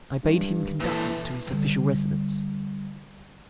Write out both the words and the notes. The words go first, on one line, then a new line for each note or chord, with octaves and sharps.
I bade him conduct me to his official residence.
G2
A#2 E3 A4
D3 G3